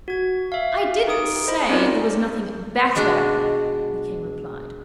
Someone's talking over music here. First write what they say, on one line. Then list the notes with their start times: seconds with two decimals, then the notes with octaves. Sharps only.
'I didn't say there was nothing BETTER,' the King replied.
0.08 F#4 G#6
0.52 E5 F5
1.07 D#4 G4 D#6 D7
1.47 C5 D#5 B5
1.69 C4 C#4 D#4 F4 A#4 D5
2.95 B2 G#3 D4 F#4 D5